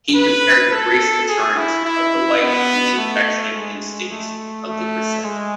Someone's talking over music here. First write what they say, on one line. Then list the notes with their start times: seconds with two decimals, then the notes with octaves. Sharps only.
He compared the graceful charms of the wife to the affectionate instincts of the grisette.
0.15 B4
0.71 A4
1.28 G#4
1.57 E4
1.85 E4
2.42 B3
2.98 A3
3.55 G#3
4.11 A3
4.68 A3
5.24 G#3